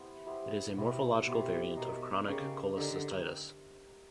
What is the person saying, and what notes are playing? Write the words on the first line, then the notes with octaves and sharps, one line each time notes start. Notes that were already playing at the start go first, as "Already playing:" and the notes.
It is a morphological variant of chronic cholecystitis.
Already playing: B3 E4 G4 C5
B3 E4 G4 C5
B2 B3 E4 G4 C5
B2 B3 E4 G4 C5
B2 D#4 G4 A#4
C#3 D#4 G4 A#4
D3 D#4 G4 A#4